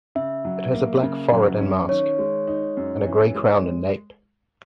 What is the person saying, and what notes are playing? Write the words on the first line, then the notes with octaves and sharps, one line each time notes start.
It has a black forehead and mask and grey crown and nape.
C#3 E5
F#3
A#3
C#3
F#3
C#4
D#3 C#5
G#3
D#4
F#2
E3
G#3